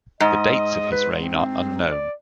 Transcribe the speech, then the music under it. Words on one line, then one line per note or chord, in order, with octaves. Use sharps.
The dates of his reign are unknown.
G#2 D#5
B4
C4
D5